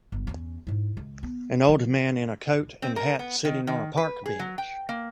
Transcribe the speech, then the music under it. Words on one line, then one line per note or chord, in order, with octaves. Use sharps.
An old man in a coat and hat sitting on a park bench.
G1 C#2
E2 C#4
G#2 E4
C#2
B3
F3
C4
A#4
B3
D#3
D#3
B4
G#4
F#3
G5
A#3